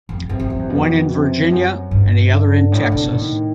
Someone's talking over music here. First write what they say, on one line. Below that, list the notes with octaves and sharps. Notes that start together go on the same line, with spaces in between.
One in Virginia and the other in Texas.
F2
F2 C3
F2
F#2
E2
F2 B2
C3
F#2
G2
D3
A2
C3
B2
A2 D#3